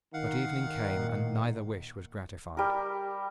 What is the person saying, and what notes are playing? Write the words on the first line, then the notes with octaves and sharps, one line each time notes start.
But evening came and neither wish was gratified.
D#3 F5 F#5
A#2
G3 A#4